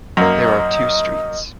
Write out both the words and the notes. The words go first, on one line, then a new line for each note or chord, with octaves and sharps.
There are two streets.
F#2 A#3 D#5